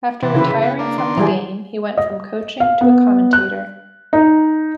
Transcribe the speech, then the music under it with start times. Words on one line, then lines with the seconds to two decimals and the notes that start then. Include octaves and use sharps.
After retiring from the game he went from coaching to a commentator.
0.23 C3 E3
0.34 C#3 E4 B4
0.62 B3
0.79 A#3 D4
0.98 D#3 D4 C6
1.17 E3 G3 G#4
1.97 D#5
2.60 F5
2.81 B3
3.33 F#6
4.13 D#4